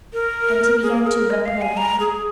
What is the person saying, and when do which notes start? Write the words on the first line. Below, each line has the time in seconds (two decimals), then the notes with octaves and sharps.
And he began to whimper again.
0.13 A#4
0.83 G#4
1.07 A#4
1.30 D#5
1.45 F5
1.61 G#5
1.77 A#5
2.00 G#4